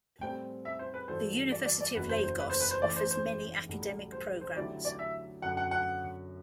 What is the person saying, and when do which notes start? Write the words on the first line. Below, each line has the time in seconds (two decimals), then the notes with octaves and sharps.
The University of Lagos offers many Academic Programs.
0.21 A2 G3 C4 G5
0.65 E5
0.79 C5
0.94 B4
1.08 G2 E3 B3 F#4 A4 C5
1.52 D5
1.66 D5
1.81 D5
1.95 F#1 E2 B2 F#3 A3 B4
2.09 C5
2.23 C5
2.39 B4
2.50 C5
2.60 B4
2.71 C5
2.81 A2 E3 A3 D5
2.96 C5
3.11 C5
3.69 B1 A2 G3
4.12 C5
4.41 C5
4.55 D3 F#3 A3 E4 G4 D5
4.85 D5
4.99 E5
5.42 F#2 D3 F#3 B3 F#5
5.57 F#5
5.71 F#5